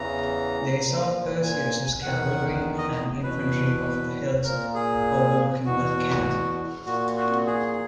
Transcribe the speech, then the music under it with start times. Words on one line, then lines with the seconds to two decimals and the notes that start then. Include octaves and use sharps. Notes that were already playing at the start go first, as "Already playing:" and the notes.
They saw Perseus' cavalry and infantry of the hills overlooking the camp.
Already playing: E2 C#3 E3 A#5
0.81 A#2
1.43 G#5
2.02 E2 D#3 F#5
2.78 D#5
2.93 D#5
3.23 E2 B2 B4
4.44 A#2 A#4
4.74 G#4
5.65 E2 B2 F#4
6.86 A#2 F#4
7.17 F#4
7.47 G#4